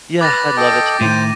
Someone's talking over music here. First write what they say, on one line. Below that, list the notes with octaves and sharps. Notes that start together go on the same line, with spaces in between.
Yeah, I'd love it to be
B4 D6 A6 A#6
A4 D#5 G5
A2 D#3 C5 D#7